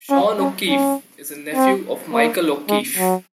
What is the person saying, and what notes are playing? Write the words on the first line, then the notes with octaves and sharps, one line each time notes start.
Sean O'Keefe is a nephew of Michael O'Keefe.
C#4
C#4
C#4
C4
A#3
G#3
F#3